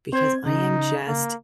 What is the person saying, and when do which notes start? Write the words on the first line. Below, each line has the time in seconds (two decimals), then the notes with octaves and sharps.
because I am just
0.13 C4 C5 G#6
0.46 C#3 D#4
1.07 A#3